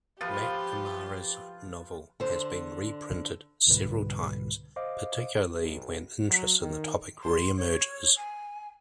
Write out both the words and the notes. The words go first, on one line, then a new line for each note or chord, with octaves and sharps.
MacNamara's novel has been reprinted several times, particularly when interest in the topic re-emerges.
F3 F4 G4 B4
D3 C5
C2 G#2 B2 D3 G3 B4
C5 D#5 F5 D6
B1
F#3
D#3
C6
C#5
G#5